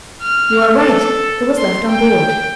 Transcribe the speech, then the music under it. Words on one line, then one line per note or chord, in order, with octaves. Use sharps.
"You are right; it was left on board."
F6
A4
C6
G5